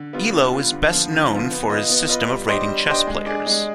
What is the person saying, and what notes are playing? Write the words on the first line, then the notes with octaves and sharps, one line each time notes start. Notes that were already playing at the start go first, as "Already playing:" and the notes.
Elo is best known for his system of rating chess players.
Already playing: D3
G3 B3 F4
D3
G3 B3 F4
D3
F3 B3 F4
D3
F3 B3 F4
B3
F4 B4 D#5
B3
F4 B4 D#5
G3
D4 G4 C5 D#5
G3
D4 G4 C5 D#5
G#3
D4 G#4
G#3